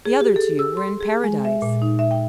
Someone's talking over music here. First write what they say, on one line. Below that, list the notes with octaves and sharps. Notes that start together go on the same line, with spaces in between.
The other two were in Paradise.
G#4
G4
A4
E6
C6
G#4
G#3
E5
A#2
D#4
E5
G5